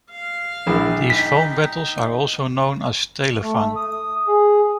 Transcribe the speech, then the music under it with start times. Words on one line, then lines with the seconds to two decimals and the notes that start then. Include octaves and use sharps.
These phone battles are also known as Telefang.
0.10 F5
0.66 A#1 E4
1.10 D#4 G5 B6
3.43 A3
3.76 D#6
4.27 G#4